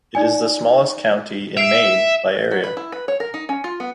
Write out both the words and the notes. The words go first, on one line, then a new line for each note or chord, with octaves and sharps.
It is the smallest county in Maine by area.
D#4 D5 G#5
E5 C7 D7 F7
F#3
B4
E4
B4
C#5
A#4
D#4
C#4
F4
B3